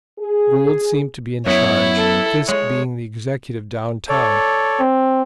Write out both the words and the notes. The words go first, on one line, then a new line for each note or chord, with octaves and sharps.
Gould seemed to be in charge, Fisk being the executive down-town.
G#4
F#2 B3 E4 C#5
A4
G#3 C#5
A4 C#5 D5
C4